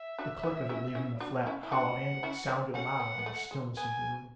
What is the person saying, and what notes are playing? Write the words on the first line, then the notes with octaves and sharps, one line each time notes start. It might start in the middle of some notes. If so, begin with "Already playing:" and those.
The click of it leaving the flat, hollow handle sounded loud in the stillness of the room.
Already playing: E5
D4 F#4
B3 D4
C#4 E4
C#4 E4
D4 F#4
C#4 E4
E4
D4 F#4 F#5
C#4 E4
B3 D4
A3 C#4 F#5
B3
B3
A3
G#3
B3 G#5